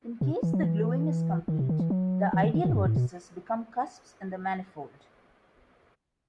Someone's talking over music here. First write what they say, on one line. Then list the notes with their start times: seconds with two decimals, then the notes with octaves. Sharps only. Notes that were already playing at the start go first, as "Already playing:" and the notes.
In case the gluing is complete the ideal vertices become cusps in the manifold.
0.21 C3
0.43 E3
0.53 F#3
0.63 E3
1.48 D#3
1.59 C3
1.69 D#3
1.80 E3
1.90 F#3
2.33 E3
2.43 D#3
2.54 D#3
2.65 D#3
2.70 A2
2.75 G2
2.86 A2
2.96 B2